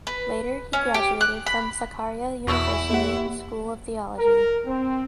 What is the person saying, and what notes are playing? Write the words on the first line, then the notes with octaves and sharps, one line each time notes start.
Later he graduated from Sakarya University School of Theology.
B4
C#4
G4
F#6
B5
E2 B2 E4 C#6 E6
A#3 G4 E5 F#5
A#4
C4